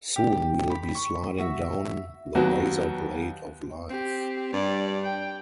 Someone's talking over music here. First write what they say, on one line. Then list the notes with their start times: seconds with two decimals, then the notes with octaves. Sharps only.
Soon we'll be sliding down the razor blade of life.
0.16 G4
0.70 G4 B5
0.95 C#6
1.38 F#4 E5
2.35 D#2 F#3 B3 F#4
3.90 C4 G4
4.53 G2 D5
5.04 G5